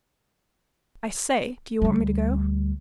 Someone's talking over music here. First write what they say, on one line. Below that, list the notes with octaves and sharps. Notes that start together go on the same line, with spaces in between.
"I say--do you want me to go?"
D2 G3